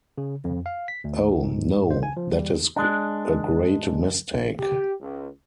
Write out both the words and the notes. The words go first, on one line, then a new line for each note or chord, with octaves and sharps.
Oh, no; that is a great mistake.
C#3
F2
F5
B6
D2
G#2
C5
G#5
F3
G3
G#3 D4
G4
C#2